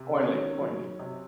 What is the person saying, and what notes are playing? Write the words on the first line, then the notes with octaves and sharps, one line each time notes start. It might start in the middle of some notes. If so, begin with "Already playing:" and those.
Corn leaf corn leaf.
Already playing: C3
D4
D#3 C#4
F#3
C3